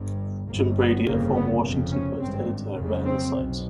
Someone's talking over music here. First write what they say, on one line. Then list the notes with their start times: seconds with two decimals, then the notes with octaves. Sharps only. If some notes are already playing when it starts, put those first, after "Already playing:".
Jim Brady, a former "Washington Post" editor, ran the site.
Already playing: G1 G2
0.49 G1 G2 A#3
0.77 B3
1.06 G1 F2 C#3 A#3
1.35 B3
1.63 F1 F2 C#3
1.92 C#4
2.19 G#1 G2 C4
2.76 F#1 F2 C#3
3.05 C4
3.33 B1 B2